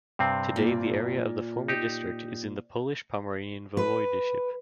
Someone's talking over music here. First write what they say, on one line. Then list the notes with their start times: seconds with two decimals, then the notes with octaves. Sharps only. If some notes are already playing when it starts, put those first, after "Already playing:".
Today the area of the former district is in the Polish Pomeranian Voivodeship.
0.19 G2 C3 C4
0.56 A#2
1.68 D#4 G4
3.77 B4